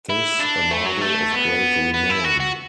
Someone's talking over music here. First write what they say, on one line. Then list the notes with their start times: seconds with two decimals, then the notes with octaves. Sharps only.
'Tis a marvel of great renown!
0.09 E4
0.40 D4
0.71 A3
0.86 F#3
1.02 A3
1.32 B3
1.94 B3
2.10 E4
2.24 F#4
2.40 F#4